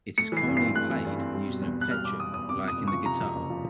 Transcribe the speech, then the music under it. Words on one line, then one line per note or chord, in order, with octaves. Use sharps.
It is commonly played using a plectrum like in the guitar.
A3 C#7
E3 C7
G2
C4 C7
A3 F#6
E3
G2
C4
G3
B2
E2
E2
F#6
G3 F6
B2 D6
E2 D#6
E2 D#6
C3 D6
F2 D#6
F#1
F3 C#6
C3 A#5
F2
F#1
F3